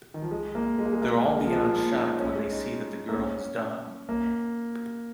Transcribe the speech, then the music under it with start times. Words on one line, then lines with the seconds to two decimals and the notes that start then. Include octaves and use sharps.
They're all beyond shocked when they see that the girl is Dawn.
0.14 D#3
0.22 F3
0.31 G#3
0.55 A#3
0.79 G#3
0.85 A#3
0.93 G#3
1.02 A#3
1.25 A#3
1.36 G#3
1.46 F3
1.56 G#3
1.73 A#3
1.92 C#4
1.96 D#4
2.20 C#4
2.35 G#3
2.51 D#4
3.09 A#3
3.15 C#4
4.09 A#3